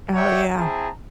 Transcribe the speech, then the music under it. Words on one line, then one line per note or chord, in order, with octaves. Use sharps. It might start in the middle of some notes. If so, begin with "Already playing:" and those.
Oh, yeah.
C#5 D5 E5 F#5 G5
C4 E4 G#4 A5 A#5